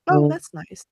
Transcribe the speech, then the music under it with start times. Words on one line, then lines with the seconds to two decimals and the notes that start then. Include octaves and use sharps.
Oh, that's nice.
0.10 D3